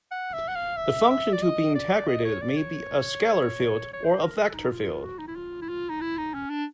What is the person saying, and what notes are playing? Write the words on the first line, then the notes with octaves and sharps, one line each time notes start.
The function to be integrated may be a scalar field or a vector field.
F#5
E5
F#5
F5
E5
E5
D5
D#5
D5
D#5
C#5
D5
C#5
C#5
C5
A#4
A4
D#4
F4
F#4
D#4
E4
F4
E4
F4
D#4
E4
D#4
C#4
D4